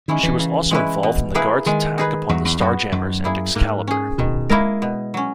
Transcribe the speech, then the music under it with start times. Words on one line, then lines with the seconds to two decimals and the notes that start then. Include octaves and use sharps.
She was also involved in the Guard's attack upon the Starjammers and Excalibur.
0.08 D#3 G#3 C#4 E4
0.23 E3
0.39 C#3
0.71 G#3 C#4 E4 B4
1.03 B2
1.35 A#3 E4 G#4 B4
1.66 D#3 G#3
1.98 D#4 G#4 B4
2.29 E2 F#3
2.45 E2
2.61 F#2 B3 F#4
2.92 F#2 D#3
3.24 A#3 E4 G#4
3.55 G#2 A#3
3.87 C#4 G#4
4.18 B2 D#3
4.50 G#3 A#3 E4 A#4
4.82 B2
5.14 F#3 C#4